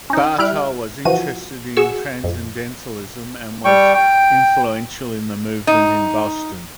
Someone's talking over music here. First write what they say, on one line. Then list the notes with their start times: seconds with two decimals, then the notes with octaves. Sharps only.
Bartol was interested in Transcendentalism and was influential in the movement in Boston.
0.10 C#4 D#4
0.39 G3 E4 E5 F6 F#6 D7
1.05 E3 F3 F#4 D#7
1.77 F#4 G#4 C#6 E6
2.24 F2
3.65 G3 G5 C#6
3.94 G5
5.67 D#4